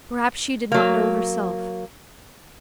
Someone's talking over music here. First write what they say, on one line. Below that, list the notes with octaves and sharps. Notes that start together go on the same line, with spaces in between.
Perhaps she did not know herself.
F#3 A#3